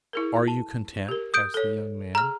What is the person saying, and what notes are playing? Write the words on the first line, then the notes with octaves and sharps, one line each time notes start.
"Are you content?" asked the young man.
E4 G#4 A#4
A5
G4 A#4
D#6 G6 D7
A4 C#5
G#4 A#5 F6